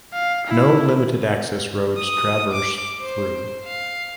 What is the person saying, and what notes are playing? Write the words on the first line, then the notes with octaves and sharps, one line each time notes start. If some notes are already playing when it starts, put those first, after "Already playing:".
No limited access roads traverse through.
F5
E4
D#6
D6
C5
F5